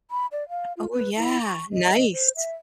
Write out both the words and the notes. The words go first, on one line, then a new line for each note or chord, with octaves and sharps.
oh yeah, nice.
B5
D5
F5
F4
B4
E4
C#6
D#5
C5
E5